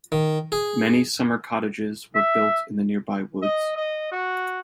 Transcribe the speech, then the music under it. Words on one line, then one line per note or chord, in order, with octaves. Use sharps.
Many summer cottages were built in the nearby woods.
D#3
G#4
E5
D#5
D#5
F#4